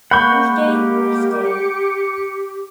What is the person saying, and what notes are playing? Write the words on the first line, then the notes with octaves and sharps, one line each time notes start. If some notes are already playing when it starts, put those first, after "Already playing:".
You stay, we stay.
G#3 A#3 A#4 F#5 B5 C#6 G6
G4
D6 C#7